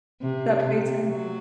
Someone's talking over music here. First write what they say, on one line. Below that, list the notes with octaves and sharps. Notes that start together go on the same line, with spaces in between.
that plays him?
C3
C3
F#3